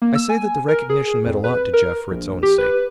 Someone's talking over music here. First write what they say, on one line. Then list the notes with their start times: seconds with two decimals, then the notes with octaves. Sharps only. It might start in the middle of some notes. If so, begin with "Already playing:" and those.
I say that the recognition meant a lot to Jeff for its own sake.
0.02 A#3
0.15 E6
0.29 G#5
0.68 A#4
0.89 G#4
1.26 F2
1.44 B4
1.73 A#4
2.11 A#1
2.43 G4
2.58 B4